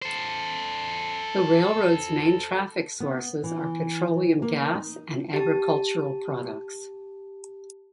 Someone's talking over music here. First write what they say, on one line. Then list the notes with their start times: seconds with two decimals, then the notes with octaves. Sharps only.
The railroad's main traffic sources are petroleum gas and agricultural products.
0.02 A4 C5
3.00 B3
3.44 E3
4.42 A#3
4.75 D#4
5.33 G4 A5